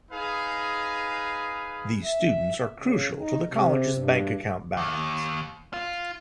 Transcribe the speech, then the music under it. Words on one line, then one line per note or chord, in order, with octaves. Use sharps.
These students are crucial to the College's bank account balance.
D#4 G#4 B4 F5
E5
C#3
D#4
C3
G2
D#2
F4